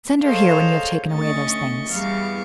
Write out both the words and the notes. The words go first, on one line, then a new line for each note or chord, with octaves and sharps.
"Send her here when you have taken away those things."
G#4 A4 C5 C#5 D#5 F5
D2 C#4 D#5 C#6 A6
E2 G3 B3 F5 C#6 D6